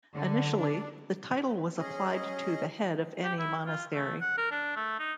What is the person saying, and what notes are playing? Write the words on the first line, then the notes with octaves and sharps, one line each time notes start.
Initially the title was applied to the head of any monastery.
D3
D4
C#4 G#4 D#5
G4
E4
F4
A3
F#5
A#4
D4
A3
D#4